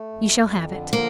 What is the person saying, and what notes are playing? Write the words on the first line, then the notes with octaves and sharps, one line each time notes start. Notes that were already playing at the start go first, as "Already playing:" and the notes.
"You shall have it."
Already playing: A3
F2
F2
D3
F3 A#3